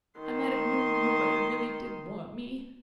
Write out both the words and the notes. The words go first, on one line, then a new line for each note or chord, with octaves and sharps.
I might have known nobody really did want me.
D#3 C6